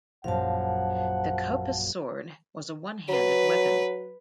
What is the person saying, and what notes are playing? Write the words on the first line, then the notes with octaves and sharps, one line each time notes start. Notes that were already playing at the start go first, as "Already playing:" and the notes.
The kopis sword was a one-handed weapon.
A#1 F#2 F5 F#5 A5
F#3 B4